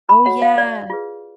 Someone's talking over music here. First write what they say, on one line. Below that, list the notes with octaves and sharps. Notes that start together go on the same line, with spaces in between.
Oh, yeah.
B5
F#4 A4 C#5 F#5
F5
D5
F4 G#4 B4